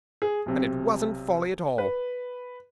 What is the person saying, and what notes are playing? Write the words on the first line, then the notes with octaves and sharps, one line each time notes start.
And it wasn't folly at all!
G#4
B1 C3
B4